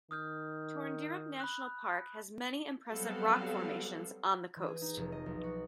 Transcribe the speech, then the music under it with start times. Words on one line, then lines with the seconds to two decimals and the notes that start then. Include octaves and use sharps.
Torndirrup National Park has many impressive rock formations on the coast.
0.11 D#3 D#6 F6 G6
1.40 B5 F#6
2.90 F#3 G3 B3 C4 A4 F5
4.56 E3
4.68 G#4
4.82 D#4
4.97 F1
5.12 D#5
5.26 B1
5.44 F#4